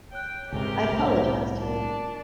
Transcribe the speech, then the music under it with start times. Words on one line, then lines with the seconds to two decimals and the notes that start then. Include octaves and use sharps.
I apologize to them.
0.12 C#5 G5 F#6
0.52 C#2 G#2 C3 G4 A#4 G#5 G7
0.92 C2 A2 C5 E5 B5
1.59 D4 A#4